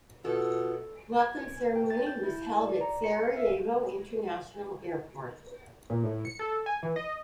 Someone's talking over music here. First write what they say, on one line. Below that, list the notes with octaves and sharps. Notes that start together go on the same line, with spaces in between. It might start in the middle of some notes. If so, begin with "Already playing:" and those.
Welcome ceremony was held at Sarajevo International Airport.
B2 F4 A4
G#6
G5
A6
G6
E4
A5
D5
A#5
C#7
F5
E5
A#2
A2
C#7
A4
G#5
E3
D#5